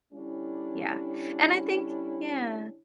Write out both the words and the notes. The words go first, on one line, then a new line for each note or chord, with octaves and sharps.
Yeah. And I think Yeah.
D3 G3 C#4 D4 E4